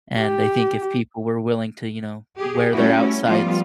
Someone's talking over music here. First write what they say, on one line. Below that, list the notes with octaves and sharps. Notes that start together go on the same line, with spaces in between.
And I think if people were willing to, you know, wear their outsides
G4
G4 G#4
G3 A3 C#4 E4 F#4
F3 G3 A3 B3 F4